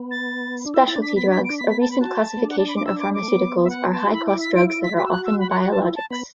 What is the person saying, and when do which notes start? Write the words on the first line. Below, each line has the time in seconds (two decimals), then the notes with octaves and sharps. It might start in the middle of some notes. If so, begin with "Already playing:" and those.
Specialty drugs, a recent classification of pharmaceuticals, are high-cost drugs that are often biologics.
Already playing: B3
0.11 A6
0.66 D4
0.74 E4 E6
0.88 E4 A6
0.96 D4
1.02 B6
1.16 B3 B6
1.28 D4 B6
1.39 B3
1.44 D7
1.50 D4
1.58 B6
1.61 B3
1.70 B6
1.81 A5
1.91 B5
2.01 F#4 A5
2.37 B3
2.43 D4
2.50 F#5
2.59 A5
2.68 B5
2.76 D6
2.86 E6
2.99 D6
3.14 D6
3.22 A3
3.28 B3
3.64 E5
3.70 F#5
3.92 A5
4.03 F#4
4.13 E4 B5
4.27 D6
4.41 B6
4.55 D7
4.69 D7
4.83 B6
4.97 F#4 B6
5.05 E6
5.12 F#6
5.25 E6
5.40 B5
5.50 F#5
5.61 F#5
5.71 A5
5.82 E4
5.96 A5
6.11 B3 B5